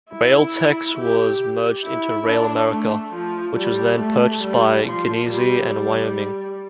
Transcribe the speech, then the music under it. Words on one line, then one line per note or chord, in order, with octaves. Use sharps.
Railtex was merged into RailAmerica, which was then purchased by Genesee and Wyoming.
E4
G4
E4
D4
A3
F3
G3
A3
G3
F3
G3
G3